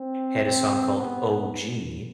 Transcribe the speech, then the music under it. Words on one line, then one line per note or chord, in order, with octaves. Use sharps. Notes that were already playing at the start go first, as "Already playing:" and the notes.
had a song called OG,
Already playing: C4
C4
B3